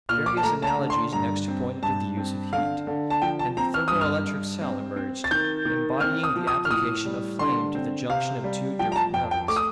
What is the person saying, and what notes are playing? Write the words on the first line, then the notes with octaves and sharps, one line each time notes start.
Various analogies next pointed to the use of heat, and the thermoelectric cell emerged, embodying the application of flame to the junction of two different metals.
A#2 F6
D6
A5
A3 A#5
A5
A#5
D3
C6
G2 A#5
C4
G2 A5
C4
D3 F5
D3
A5
F3 G5
A5
C4 A#5
F6
G2 D#6
F6
G2
C4
C4
A6
D#3 G6
D#3
C4 F6
D#6
F3
D#6
F6
A2 D#6
G3
D3 C6
C4
C3 F5
G3
F3 G5
A#5
A5
F2 G5
G5
A3 D6
D#6